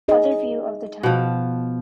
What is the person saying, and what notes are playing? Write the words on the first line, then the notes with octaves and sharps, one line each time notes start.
Other view of the tunnel.
D#4 G#4 D#5
B2 F3